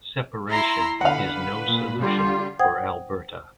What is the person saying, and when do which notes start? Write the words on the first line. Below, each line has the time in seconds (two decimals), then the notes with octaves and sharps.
Separation is no solution for Alberta.
0.51 E4 A#5 C6
1.01 D3 B4 F5 F#5
1.68 A#2
2.00 D3 G3 F4
2.60 C5 F#5 G5 D#6 G#6